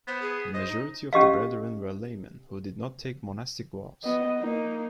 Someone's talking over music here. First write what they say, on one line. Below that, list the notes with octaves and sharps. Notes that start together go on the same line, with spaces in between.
The majority of the Brethren were laymen who did not take monastic vows.
B3 C5
G#4
C5 D#5
D#4
C#4 G4 D#5 F5
B3 D#5
A#3 D#4